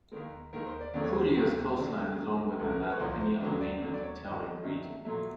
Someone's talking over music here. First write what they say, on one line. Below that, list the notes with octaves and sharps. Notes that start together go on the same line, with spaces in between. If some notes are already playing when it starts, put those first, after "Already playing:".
Puglia's coastline is longer than that of any other mainland Italian region.
D#2 D#3 G#3 A#4
D#2 D#3 G#3 A#4
C5
D5
D#2 C#3 F#3 A3 D5
C#5
C5
C5
D#2 C#3 F#3 A3 C5
D2 C#3 F#3 D5
A4
A4
G#4
D2 C#3 F#3 A4
C2 A#2 F3 G#3 A4
A#4
B4
C#5
C2 A#2 F3 G#3 C5
C5
D#2 D3 F#3
D5
D#2 D3 F#3
D5
C#5
G2 D#3 F#3 D#5
D#5
G2 D#3 F#3 E5
A#2 F#3 A3 E5